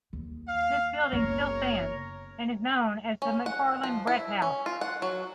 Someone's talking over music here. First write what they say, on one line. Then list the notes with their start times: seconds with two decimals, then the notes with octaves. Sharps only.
This building still stands and is known as the Macfarlane Bredt House.
0.13 D#2
0.48 F5
1.12 F#1 B3 A#4 C#5
3.22 C#4
3.46 F#5
3.84 F3
4.07 E4
4.42 C#4
4.66 F4
4.81 F#5
5.02 F#3